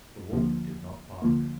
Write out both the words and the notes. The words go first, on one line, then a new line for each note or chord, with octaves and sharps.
The wolf did not bark.
D2 D3 F3 A#3
D2 D3 F3 A#3